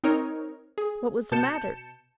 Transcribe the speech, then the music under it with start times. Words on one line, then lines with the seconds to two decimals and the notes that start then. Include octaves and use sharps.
What was the matter?
0.04 C4 D#4 A#4 C#5
0.78 G#4
1.31 B2 A5 G6 C#7 E7